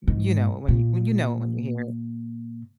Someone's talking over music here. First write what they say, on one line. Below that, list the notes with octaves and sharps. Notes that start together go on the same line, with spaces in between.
You know, when you well, you know it when you hear it.
G#2
A#2